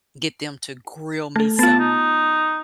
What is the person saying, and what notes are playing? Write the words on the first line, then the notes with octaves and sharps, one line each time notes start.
get them to grill me some,
A3 A4
B3 F4 A5
D#4